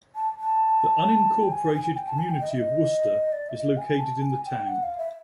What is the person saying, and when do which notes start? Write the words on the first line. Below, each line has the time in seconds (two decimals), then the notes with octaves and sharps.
The unincorporated community of Worcester is located in the town.
0.15 A5
0.40 A5
1.43 G5
1.52 G#5
1.74 G#5
1.96 G5
2.07 A5
2.18 G#5
2.30 G5
2.41 D#5
2.49 E5
2.57 D#5
3.32 D5
3.49 E5
3.54 D#5
3.77 G#5
3.99 A5
4.22 G#5
4.45 G5
4.67 F#5
4.83 F5
4.98 E5